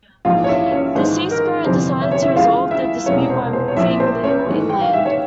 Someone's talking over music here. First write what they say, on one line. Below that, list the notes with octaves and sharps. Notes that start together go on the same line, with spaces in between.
The sea spirit decided to resolve the dispute by moving the hill inland.
A#1 G#2 E3 F4 F5
C#5
E4 E5
C#4 C#5
G#1 G#2 E3 C5
A#4
G1 F2 C3 E3 C5
E5
C#5
E4 E5
C#2 C#3 E3 F4 F5
E4 E5
E1 E2 C3 E3 C#4 C#5
C5
C5
C#5
A#1 A#2 E4 E5
C5
C#4 C#5
G#1 G#2 E3
G5
F5
E5
C#5